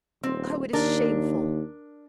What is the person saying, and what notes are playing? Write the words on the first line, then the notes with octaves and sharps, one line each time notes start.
Oh! it is shameful!
D#1 C4
D#2 D4 A#4